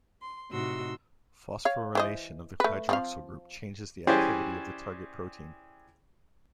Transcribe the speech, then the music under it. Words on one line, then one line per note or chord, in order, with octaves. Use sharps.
Phosphorylation of the hydroxyl group changes the activity of the target protein.
C6
A2 C3 D#4 F#4 C6 E6
C#5 F5
E3 C5 D#5
A3 B4
F3 C4 F5
E3 C#4 G4 G#4 C5 D5